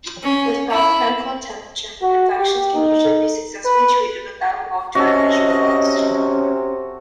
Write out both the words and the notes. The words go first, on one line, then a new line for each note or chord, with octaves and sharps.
With proper medical attention, infections can usually be successfully treated without long-term visual loss.
C#4
E4
F#4
G4
D#4
B4
C3 C#4 F#4 A4 D#5